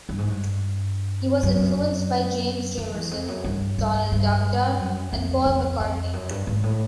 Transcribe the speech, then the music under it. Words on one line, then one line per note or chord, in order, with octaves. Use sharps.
He was influenced by James Jamerson, Donald "Duck" Dunn, and Paul McCartney.
G2
G#2
G2
F#2
F#2
E2
F2
F#2
G2
G2
G2
F#2
F2
F2
F2
F#2
G2
G#2
A2